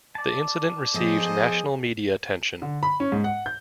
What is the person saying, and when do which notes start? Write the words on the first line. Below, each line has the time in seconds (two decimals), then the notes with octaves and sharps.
The incident received national media attention.
0.15 D5 A5
0.94 F3 B3 G#4 A4 C5 D#5
2.62 D3
2.83 B5
3.00 C#4
3.12 G#2
3.24 F#5
3.46 G6